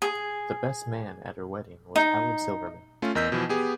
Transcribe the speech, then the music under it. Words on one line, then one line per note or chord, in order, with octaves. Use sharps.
The Best Man at her wedding was Howard Silverman.
G#4
D#4
A3 C#4 F4
E2 A#4 D#5 E6 G6 B6
B2 E3 F3
B3 G4 G#4